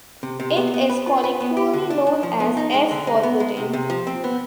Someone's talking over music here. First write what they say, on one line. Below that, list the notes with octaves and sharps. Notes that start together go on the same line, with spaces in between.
It is colloquially known as 'f-forwarding'.
C3
C3
B3
B3
B4
F4
B4
B3
G4
D3
D4
D4
F3
B3
D#4
G#3
D3
G#3
B3
G#3
C3
C3
F3
C4
B3